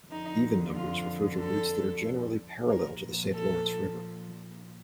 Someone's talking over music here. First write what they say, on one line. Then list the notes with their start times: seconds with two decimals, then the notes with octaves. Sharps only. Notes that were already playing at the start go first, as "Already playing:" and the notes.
Even numbers refer to routes that are generally parallel to the Saint Lawrence River.
0.11 F2 D3 F3 D#4
0.76 F4
1.40 A4
2.69 A#2 F3 A#4
3.33 A4